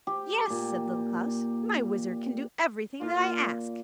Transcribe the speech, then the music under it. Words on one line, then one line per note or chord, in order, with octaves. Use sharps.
'Yes,' said Little Klaus; 'my wizard can do everything that I ask.
G4
A#2
A#2 F4